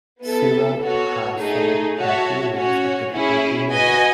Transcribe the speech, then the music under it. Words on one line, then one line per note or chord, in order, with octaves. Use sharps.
Sewell has said that he was a difficult teenager.
B3 E4 A4
B3 F#4 A4 C#5
A3 D#4 G#4
F#4 C#5 E5 A5
C#4 F#4 C#5
C#4 E4 G#4
F#4 B4 D#5 G#5